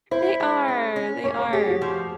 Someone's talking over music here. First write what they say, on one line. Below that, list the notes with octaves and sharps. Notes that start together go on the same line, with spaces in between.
They are, they are.
E4 C5
G#3
C#4
C#4
A#3 C#5
C#5
G4 G#4
F#4
F3